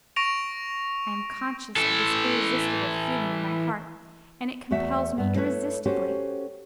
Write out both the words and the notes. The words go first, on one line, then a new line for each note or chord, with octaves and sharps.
I am conscious of this irresistible feeling in my heart, and it compels me irresistibly.
C#6 A#6 D7 F7
E3 A4
E2 A3 F#4 E5
G2 B3
A3 E4 B4 C#5
C#4 F#4 G4 A4 C5